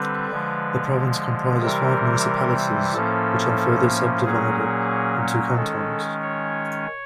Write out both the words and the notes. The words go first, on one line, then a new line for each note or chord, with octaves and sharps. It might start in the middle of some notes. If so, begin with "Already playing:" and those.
The province comprises five municipalities which are further subdivided into cantons.
Already playing: D3 G3 C4 B4
D3 F3 G#3
C3 E3 G3 A#4
A2 F3 A#3 C#4 A4
A#2 F#3 A#3 C#4 G#4
D#3 G#3 C#4 A4
C#5